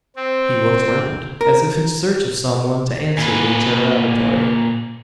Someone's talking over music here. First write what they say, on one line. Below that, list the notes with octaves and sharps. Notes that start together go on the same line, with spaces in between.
He looked round, as if in search of some one to answer the interrogatory.
C4
A#4
A#2 B4